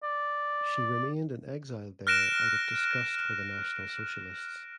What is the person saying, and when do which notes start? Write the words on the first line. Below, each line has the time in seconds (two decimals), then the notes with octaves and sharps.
She remained in exile there out of disgust for the National Socialists.
0.03 D5
2.07 F6 F#6 A#6 D7 E7